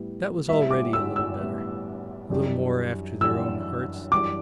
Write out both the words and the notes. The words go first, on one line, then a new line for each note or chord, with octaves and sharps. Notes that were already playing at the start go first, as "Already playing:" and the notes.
That was already a little better, a little more after their own hearts.
Already playing: A2 G3 B3 E4
A2 G3 B3 E4 E5
D6
E6
E6
A2 G3 B3 E4
F#2 E3 G3 D4 G4
F#2 E3 G3 D4 G4 E6
F#2 E3 G3 D4 G4 D6